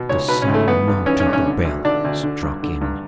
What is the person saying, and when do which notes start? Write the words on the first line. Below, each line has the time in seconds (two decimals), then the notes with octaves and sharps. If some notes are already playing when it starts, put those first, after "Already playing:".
The solemn note of the bell struck in.
Already playing: B2
0.09 C#2 C#5
0.28 B2 B4
0.42 C#4
0.48 C#2
0.54 A3
0.68 E3 B3
0.87 G2
1.06 E3 C#4
1.20 C#4
1.26 G2
1.33 C#4
1.46 D3
1.65 D2
1.85 D3 D4
2.04 D2
2.23 D3
2.43 G2
2.63 D3
2.81 G2